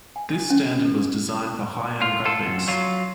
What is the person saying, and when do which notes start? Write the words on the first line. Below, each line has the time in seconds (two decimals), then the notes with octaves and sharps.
This standard was designed for high-end graphics.
0.16 G#5
0.50 C#4
0.85 A4
2.01 F4
2.25 F4 A4
2.45 F#2
2.68 F#3 F4